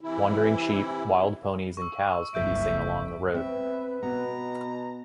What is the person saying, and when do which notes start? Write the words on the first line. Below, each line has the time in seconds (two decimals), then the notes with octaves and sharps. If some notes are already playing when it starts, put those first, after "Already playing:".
Wandering sheep, wild ponies and cows can be seen along the road.
0.01 C3 E3 E4
1.77 C#6 E6
2.34 F#1 C#2 G2 E5 E6 G6 D7
3.35 C4 B4 E5
4.03 B2 B3 A#5